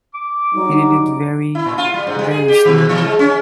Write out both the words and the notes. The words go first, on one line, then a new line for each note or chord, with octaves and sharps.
He did it very, very slowly.
D6
F#3 G3 D#4
E4
A#2
F4
G3
G#2
G3
G#4
G4
D#3
E3
G#3
C#4